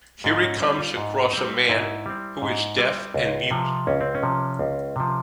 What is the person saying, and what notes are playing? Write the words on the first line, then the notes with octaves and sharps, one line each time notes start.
Here he comes across a man who is deaf and mute.
G#2 F4
C#4
G3 C4 C#4
F4
G#2
G3 C4
G#2 E4
G3 C4
G#2
G3 C4
C#2
C3 F3
C#2 C#4
C4
C#4
C3 F3
C#2
C3 F3